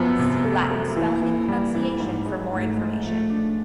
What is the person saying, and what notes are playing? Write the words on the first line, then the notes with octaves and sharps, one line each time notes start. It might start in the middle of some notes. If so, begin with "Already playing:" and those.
See Latin spelling and pronunciation for more information.
Already playing: F#2 F3 B3
C3
A3
A3
E3 A#3
E3
G3
E3
G#2
G#3
G#2 A3
G#3
F3 A3
D4